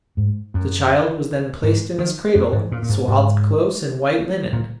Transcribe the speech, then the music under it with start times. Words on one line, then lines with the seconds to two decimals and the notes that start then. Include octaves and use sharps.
The child was then placed in his cradle, swathed close in white linen.
0.17 G#2
0.54 F#2
1.63 G#2
1.98 D#3
2.35 F#2
2.52 G#2
2.72 A#2
2.82 A#2
2.89 G#2
3.07 G#2
4.53 A#2